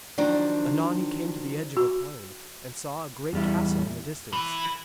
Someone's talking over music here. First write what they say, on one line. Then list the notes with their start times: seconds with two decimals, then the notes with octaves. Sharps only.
Anon he came to the edge of a plain, and saw a great castle in the distance.
0.18 D#3 F3 F#3 D4
1.77 F#4
3.33 E2 G3 E4
4.33 E3